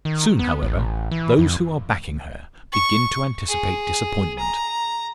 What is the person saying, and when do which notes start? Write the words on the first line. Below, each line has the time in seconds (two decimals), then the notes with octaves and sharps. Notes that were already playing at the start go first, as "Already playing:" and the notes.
Soon, however, those who are backing her begin to anticipate disappointment.
0.05 D#3
0.39 B3
0.63 A1
1.11 E3
1.39 F2
2.72 C#6
3.48 G#4
4.39 A#5